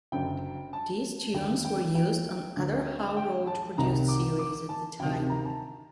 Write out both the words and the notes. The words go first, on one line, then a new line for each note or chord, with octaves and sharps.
These tunes were used on other Hal Roach produced series at the time.
F#1 F#2 D3 G5
A5
D#2 D3 G5
G5
G5
D2 D3
G5
A5
C2 C3 D#3 A#5
D6
D6
A5
D2 C3 D#3 G5
A#5
A5